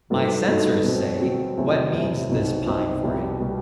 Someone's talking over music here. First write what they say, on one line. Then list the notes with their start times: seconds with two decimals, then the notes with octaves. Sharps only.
'My censors say, 'What means this pine for him?
0.10 G2 F#3 B3 D#4 A4
0.47 G2 F#3 B3 D#4 A4
0.84 B2 F#3 C4
1.20 B2 F#3 C4
1.57 E2 C3 F#3 A3
1.93 E2 C3 F#3 A3
2.30 C2 B2 F#3 C4 D#4
2.66 C2 B2 F#3 C4 D#4
3.03 C2 B2 G3
3.40 B2 G3